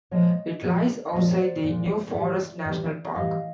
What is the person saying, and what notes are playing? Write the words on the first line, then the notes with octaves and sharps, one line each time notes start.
It lies outside the New Forest National Park.
A#2 F3 G#3 C#5 D#5
A#2 F3 G#3
A#2 F3 G#3 D#5
D5
C#5
C5 D5
A#2 F3 G#3
A2 E3 G3 D5 E5
A2 E3 G3
A2 E3 G3 D#5 F5